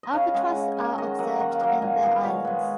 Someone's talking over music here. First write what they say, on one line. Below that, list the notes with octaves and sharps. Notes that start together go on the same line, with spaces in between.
Albatross are observed in the islands.
D#5
C#3 C#5 F5
G#3 C#4 D#5 F#5
C#3
G#3 C#4
D#3 D#5 F#5
F#3 A#3 D#5 F#5
D#3 D#5 F#5
F5
F#3 A#3 D#5 F#5
A#2 F5 G#5
G#3 B3 D#5 F#5
A#2 C#5 F5
G#3 B3